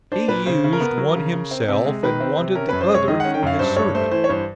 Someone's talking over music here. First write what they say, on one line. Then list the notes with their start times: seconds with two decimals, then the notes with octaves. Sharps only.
He used one himself and wanted the other for his servant.
0.12 D4 C5
0.28 A#2 B4
0.46 C#3 C5
0.64 C#3
0.73 A#4
0.81 B3
0.98 F#3
1.16 C#3
1.32 C#3
1.51 C4
1.68 C3
1.85 G#3
2.03 D#3 B4
2.21 C4
2.37 C3
2.55 C#4 A#4
2.69 F#2 B4
2.81 C5
2.90 G#3 C#5
3.08 D#3 D#5
3.20 F#5
3.24 C#4
3.34 G5
3.43 F#2 F5
3.59 G2 C5
3.77 G2 C#5
3.94 A3 C5
4.11 E3 C5
4.24 C#5
4.29 G2 C5